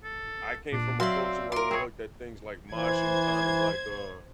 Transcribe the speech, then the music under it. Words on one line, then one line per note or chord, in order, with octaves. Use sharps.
I came from a culture where we looked at things like moshing kind of like, uh
A4
A#2 D4
F#3 C4 D5 E5 F5 C6
A#4 C6 D6
C4 G#4 C#5
E3 C5 G#6